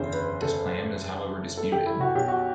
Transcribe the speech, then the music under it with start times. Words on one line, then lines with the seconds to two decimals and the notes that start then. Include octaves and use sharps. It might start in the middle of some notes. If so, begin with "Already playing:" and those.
This claim is however disputed.
Already playing: F#1 E2 D3 C5
0.13 B4
0.41 A4
1.57 A4
1.72 G4
1.86 E4
2.01 F#4
2.15 B1 B2 G4
2.28 F#4